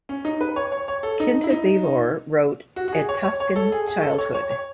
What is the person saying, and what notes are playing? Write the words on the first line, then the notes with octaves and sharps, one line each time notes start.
Kinta Beevor wrote "A Tuscan Childhood".
C#4
D#4
B4
C#5
C#5
C#5
A4
D#4
E4
D#4
F#4
F#4
G#4
C#5
C#5
C#5
A4
G#4
G#4
A4
C#5
C#5
C#5